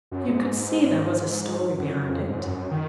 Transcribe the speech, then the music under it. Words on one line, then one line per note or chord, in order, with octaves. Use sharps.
You could see there was a story behind it.
F#2
A#2
G#2
F#2
F2
G#2
F#2
D#3